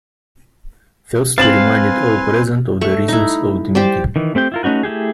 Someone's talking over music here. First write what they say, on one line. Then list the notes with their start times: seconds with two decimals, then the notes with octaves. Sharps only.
First, he reminded all present of the reasons for the meeting.
1.38 C4 B4 F5 G#5 C6 A6 E7 F#7
2.81 A3 C#6
3.08 D#4 E4
3.75 G4 C5 D5
4.16 D#3 E3
4.35 A3 C4 G4 G5
4.52 E4 F4 A#4
4.63 A3 C#4 D#4 F#4 B4
4.83 A3 E4 G4 G#4